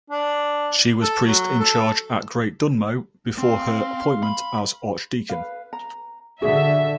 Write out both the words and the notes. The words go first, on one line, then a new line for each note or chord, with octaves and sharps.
She was Priest in charge at Great Dunmow before her appointment as Archdeacon.
D4
A4
F#3
A4
C4 F5 C6
B5
B4 F5
A#5
D3 F#4 G#4 E5